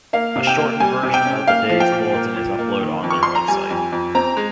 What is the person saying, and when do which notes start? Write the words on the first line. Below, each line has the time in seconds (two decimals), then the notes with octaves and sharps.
A shortened version of the day's bulletin is upload on their website.
0.13 A#3 F5
0.36 C3
0.47 G5
0.58 A#3
0.80 G3 G#5
1.03 C3
1.14 G5
1.25 C#4
1.47 A#3 F5
1.69 F3
1.80 G5
1.92 A#2
2.14 A#3
2.36 A#2
2.59 A#3
2.81 D#3
3.03 F2
3.10 C#6
3.23 F2 C6
3.35 A#5
3.48 G3 G#5
3.70 F2
3.92 F2
4.15 C4 A#5
4.37 G#3